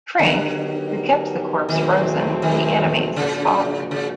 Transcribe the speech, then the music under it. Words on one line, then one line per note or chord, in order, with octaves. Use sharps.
Frink, who kept the corpse frozen, reanimates his father.
D3 F#3 B3 D#4 G4 A#4
E2 B2 D#3 F#3 A3 C4
D#3
G#2 C#3 F3 A#3 D4 F#4
C#3